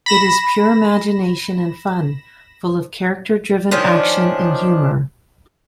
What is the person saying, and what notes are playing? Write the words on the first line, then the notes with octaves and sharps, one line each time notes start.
It is pure imagination and fun, full of character driven action and humor.
B5 A#6 E7
D#3 F3 C#4 D4